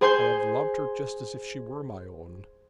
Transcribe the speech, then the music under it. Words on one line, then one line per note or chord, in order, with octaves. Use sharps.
I have loved her just as if she were my own.
G#4 C5 G#5 C6 G6